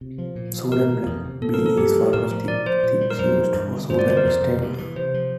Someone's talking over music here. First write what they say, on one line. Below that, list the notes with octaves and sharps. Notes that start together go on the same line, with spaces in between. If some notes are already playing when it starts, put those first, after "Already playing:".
Sudan Black B is one of the dyes used for Sudan staining.
C3
F3
A#2
F3
A2 A#4
E3
F2
C3
A2 A4
A#4
F3
A4
G2 G4
F3
A2 A#4
F3
A#2 D5
F3 C5
A#2
G3
A#4
F2 C5
E3
G2
D3
G2 C5
D5
D3 C5
A#4
F2
C3
G2
E3
C3 C5
F3